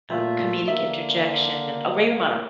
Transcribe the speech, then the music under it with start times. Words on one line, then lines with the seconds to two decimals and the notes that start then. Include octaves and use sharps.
uh, comedic interjection. Oh, Ray Romano,
0.10 A#2 A3 F4 E5
0.68 D3 A#3 E5